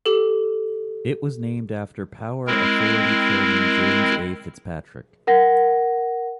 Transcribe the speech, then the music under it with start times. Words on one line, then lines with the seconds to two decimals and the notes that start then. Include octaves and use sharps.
It was named after Power Authority Chairman James A. FitzPatrick.
0.06 G4 A4
2.47 G#3 C4 E4 A#4
5.27 A#4 F#5 A#6